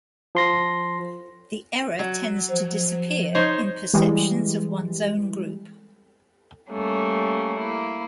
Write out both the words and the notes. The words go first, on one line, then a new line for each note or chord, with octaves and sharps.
The error tends to disappear in perceptions of one's own group.
F3 C6 A#6
F#3
F3
D#4 C5 C#5
E3 G3 G#3
G3 A3 A#3 C#4
A#3 E4